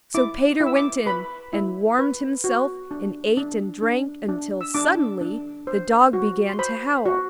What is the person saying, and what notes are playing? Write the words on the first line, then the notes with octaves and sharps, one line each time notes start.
So Peter went in and warmed himself and ate and drank, till suddenly the dog began to howl.
E4 D6
E4
E6
D6
B4 B5
E4
B4
F#4
D4
D4
D4
D4
E6
D4 D6
D4
C5
F#4
C6
C5 B5
F#4